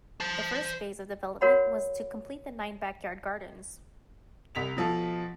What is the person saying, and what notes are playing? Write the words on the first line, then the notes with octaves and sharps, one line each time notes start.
The first phase of development was to complete the nine Backyard Gardens.
C5 A5
F#4 A#4 C#5 F#5 B5
C2 B6 F7
B2 F3 A4